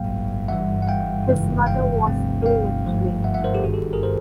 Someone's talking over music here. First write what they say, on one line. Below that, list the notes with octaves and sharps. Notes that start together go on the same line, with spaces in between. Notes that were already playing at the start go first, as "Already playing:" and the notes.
His mother was illiterate.
Already playing: B1 A2 F#3 A#3 F5 G5
G2 E3 G3 E5 F#5
F#5
F5 G5
G1 F#2 C#3 E3 G#3
F5 G5
D2 C3 F3 A3 C4
F5 G5
G#2 F3 A3
E5 F#5
E5 F#5
A#4 C5
G4 A4
A1 G2 D#3 F#4 G#4
G4 A4
G#4 A#4
A#4 C5